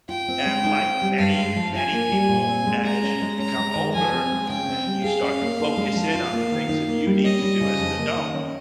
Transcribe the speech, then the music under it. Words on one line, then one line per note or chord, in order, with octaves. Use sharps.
and, like, many, many people, as you become older and you start to focus in on the things that you need to do as an adult,
F4 G5
C4
G#3
D#4
C4
G3
G2 F5
G#3
F3
F4 G#5
A#3
G3
A#2
C4
G#3
G#4 A#5
C#4
G#3
C#4 A#5
G#3
D#3
F3 G#5
C4
G#3
C#3 G5
C4
G3
G#4 F5
C#4
A#3
D#4
G#3
F3
F4
A#3
D#3
D#4
A#3
G3
C#4 D#5
G3
C#3
F2
A#3
D#3
C#4